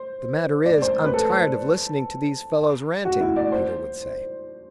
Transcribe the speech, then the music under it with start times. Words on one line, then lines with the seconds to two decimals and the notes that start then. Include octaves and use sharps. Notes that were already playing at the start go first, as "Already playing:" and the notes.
"The matter is, I'm tired of listening to these fellows ranting," Peter would say.
Already playing: C5
0.65 D5
0.82 C5
1.05 B4
1.14 A4
3.05 F#4
3.20 E4
3.36 D5
3.52 C5